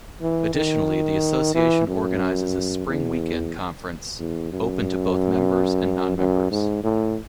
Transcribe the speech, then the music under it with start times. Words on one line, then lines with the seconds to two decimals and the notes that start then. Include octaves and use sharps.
Additionally, the association organizes a spring weekend conference open to both members and non-members.
0.22 E3
0.55 D#3
1.55 E3
1.87 F#2
2.87 E2
4.19 E2
4.52 F#2
6.18 F#2
6.51 G#2
6.83 A2